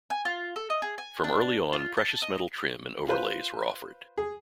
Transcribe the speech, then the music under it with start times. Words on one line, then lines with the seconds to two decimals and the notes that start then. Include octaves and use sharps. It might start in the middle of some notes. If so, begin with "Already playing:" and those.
From early on, precious metal trim and overlays were offered.
0.10 G#5
0.25 F4
0.56 A4
0.70 D#5
0.82 G#4
0.98 G#5
1.24 D4
1.73 F4
1.97 A5
2.22 D#5
3.08 F4 B4 C5
4.18 G#4